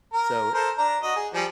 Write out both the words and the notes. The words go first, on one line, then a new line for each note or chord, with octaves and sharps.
So i
A#4
A4 A#4 C5
D4 A#5
F#4 D#5
G#4
F3 G3 G#5